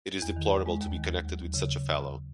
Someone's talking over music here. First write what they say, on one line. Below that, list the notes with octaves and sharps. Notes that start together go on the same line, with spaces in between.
It is deplorable to be connected with such a fellow.
E2
D#3
E2
G#3
D#2
D#3
D#2
F#3
D#2
C#3